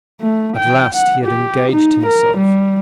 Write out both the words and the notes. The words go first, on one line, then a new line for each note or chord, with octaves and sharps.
At last he had engaged himself.
A3
G5
F#5
G4
D#4
A#4
G3